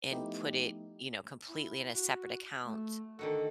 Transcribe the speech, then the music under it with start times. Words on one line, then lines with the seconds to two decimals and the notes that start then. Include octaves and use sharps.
and put it, you know, completely in a separate account
0.10 F3 A3 B3 D#4 E4 G4
1.49 E4
1.94 F#4
2.65 A3
3.19 D3 D#3 F#4 A4